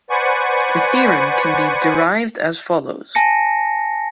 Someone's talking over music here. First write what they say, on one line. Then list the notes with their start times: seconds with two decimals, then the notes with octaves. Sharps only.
The theorem can be derived as follows.
0.10 B4 C5 D5 F#5 G#5 C#6
3.15 G#5 A5 A#6 C#7